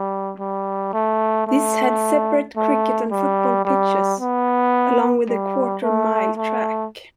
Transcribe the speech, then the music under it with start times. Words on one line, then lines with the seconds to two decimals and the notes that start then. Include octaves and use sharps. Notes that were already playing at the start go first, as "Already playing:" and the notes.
This had separate Cricket and Football pitches along with a quarter mile track.
Already playing: G3
0.40 G3
0.94 A3
1.47 A3
2.57 A3
3.11 G3
3.65 G3
4.20 B3
5.29 G3
5.83 A3
6.37 A3